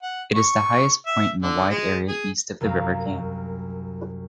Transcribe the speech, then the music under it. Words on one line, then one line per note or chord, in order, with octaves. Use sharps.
It is the highest point in the wide area east of the River Cam.
F#5
C#6
E5
D3
G#3
G#4
C2 F#2 A#4 F5